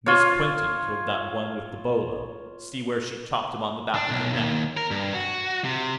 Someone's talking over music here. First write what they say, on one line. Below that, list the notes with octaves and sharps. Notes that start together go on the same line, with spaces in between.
Miss Quinton killed that one with the bolo; see where she chopped him on the back of the neck?
F4 C#5
D4
B1
D#2
A#4
G2
F#4
C3